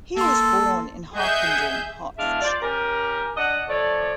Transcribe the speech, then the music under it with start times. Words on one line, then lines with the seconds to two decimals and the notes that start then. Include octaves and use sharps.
He was born in Harpenden, Hertfordshire.
0.17 A#3 A4 C6
1.15 G#4 D#5 E5 F#5 G6
2.17 E2 G#3 D4 E5 F5
2.42 F4 C5 D5
2.61 C#4 G4 A#4
3.37 D4 D#5 F#5
3.68 F3 A3 C#5 D5